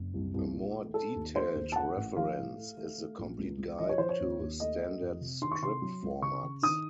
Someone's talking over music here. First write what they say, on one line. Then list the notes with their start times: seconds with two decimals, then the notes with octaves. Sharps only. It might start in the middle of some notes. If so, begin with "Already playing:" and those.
A more detailed reference is "The Complete Guide to Standard Script Formats".
Already playing: F#1
0.14 C2
0.34 C2
0.53 A#2
0.74 A3
0.94 A3 A4
1.15 D#2
1.36 A3 C5
1.55 D#2
1.72 A5
1.76 A3 F#5
1.96 A1
2.17 F3 F5
2.37 A2
2.57 A3
2.77 A3
2.98 A3
3.19 A#1
3.38 C#2
3.58 C#2
3.79 F3 D#5
3.89 C#5
3.98 F3 C5
4.09 C#5
4.20 D#2
4.39 D#2
4.60 A3 D#5
4.80 A3
5.01 F2
5.21 C3
5.41 D#3 C6
5.52 C#6
5.62 C3 C6
5.82 F#3
6.03 C#2
6.22 C#3 C#6
6.43 C#3
6.63 D#3 D#6